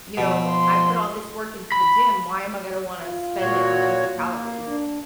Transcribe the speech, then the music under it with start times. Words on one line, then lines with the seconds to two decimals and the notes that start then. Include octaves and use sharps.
you know, "I put all this work into the gym, why am I gonna wanna spend it on empty calories?"
0.17 B2 F3
0.49 C6
1.72 B5
3.05 F4
3.41 A#2 F#4 C#5
4.18 A#3
4.67 D4